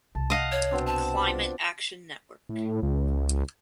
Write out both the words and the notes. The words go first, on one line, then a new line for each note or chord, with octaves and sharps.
Climate Action Network.
C2 A5
D#5 F5 F#5
C#5
B2 C4 D4
A5
F4 D5
A2
C#2